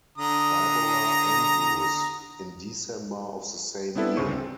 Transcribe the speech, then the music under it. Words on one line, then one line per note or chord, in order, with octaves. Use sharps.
Barbara Andrews, in December of the same year.
D3 A#5 D#6
B3 C4 D4 E4 A4 B4
D2 G2 C#3 C5 C#6
C4